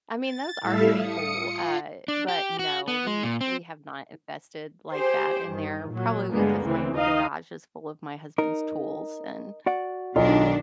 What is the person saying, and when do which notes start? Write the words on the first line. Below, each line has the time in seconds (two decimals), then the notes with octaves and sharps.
I mean, those are pretty cool. Uh, but, no, we we have not invested like that in there, probably because my garage is full of my husband's tools, and,
0.21 A6
0.61 A2 G3 E4 A4 E5 F5
0.95 D#6 C#7
1.37 F4
2.08 D4
2.28 G4
2.59 F#4
2.88 B3
3.07 G#3
3.23 A#2
3.41 C4
4.93 G4 G#4 C5
5.49 G2 D#3
5.89 A#2 F#3
6.31 G2 D3 G#3 A#3 B3
6.64 D2 C#3 E3 C4
6.96 D#2 D#4 D#5 F5
8.38 D#4 A#4
9.66 F#4 D5 F#5
10.16 B1 D#3 D4 F4